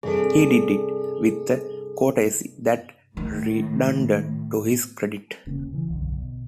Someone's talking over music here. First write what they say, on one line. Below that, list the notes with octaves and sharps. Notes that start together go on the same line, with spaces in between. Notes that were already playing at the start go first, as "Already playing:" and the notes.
He did it with a courtesy that redounded to his credit.
G2 C3 G#4 A4 D5
A2 D#3
E1 C#3 A#3 C#4
C#3 E3
D1 B1 F#2 D3
B2